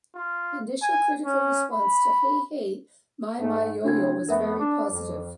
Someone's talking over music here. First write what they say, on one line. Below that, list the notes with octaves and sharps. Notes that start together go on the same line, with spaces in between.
Initial critical response to "Hey Hey My My Yo Yo" was very positive.
F4
G#5
C#4
B5
G#2 A3
A2 C#3 C4 D4 F#4 G#6
F2 A3 B3 A#4 E5
D4 D6
F2